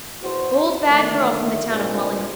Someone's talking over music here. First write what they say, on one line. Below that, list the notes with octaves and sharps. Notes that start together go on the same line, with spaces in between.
Bold bad girl from the town of Mullingar.
E2 F#4 C5
A#1 D3 D#3 A3
G2 A#2 C#3 E3 G#3 C4